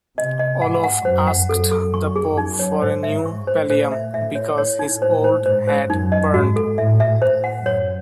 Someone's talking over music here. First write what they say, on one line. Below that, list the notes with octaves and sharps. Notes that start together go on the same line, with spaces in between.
Olov asked the Pope for a new pallium, because his old had burnt.
C3 D#5
D#5
G#2 F#5
F#5
F#2 C5
F#5
F#2 A4
A4
F#2 C#6
G#4
F#2 D#4
C#5
G#2 C5
E5
C#6
C5
A2 C5
E5
A2 E5
C#5
A2 C#5
D#4
C5
C5
G#2 C5
C5
F#2 D#4
D#5
G#2 F#4
A4
A2 E5
E5
A2 C5
F#5
F#2 C#5